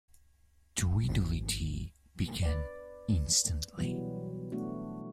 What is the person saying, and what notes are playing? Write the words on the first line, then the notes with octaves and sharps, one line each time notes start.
Tweedledee began instantly.
G#1
B4 D5
B2 E3 F#3 G3 B3
A3 B3 D4 F#4